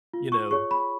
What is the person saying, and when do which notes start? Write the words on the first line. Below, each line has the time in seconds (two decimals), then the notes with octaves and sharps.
you know,
0.14 F4
0.32 C#6
0.51 G#4 C#5 C#6
0.71 B5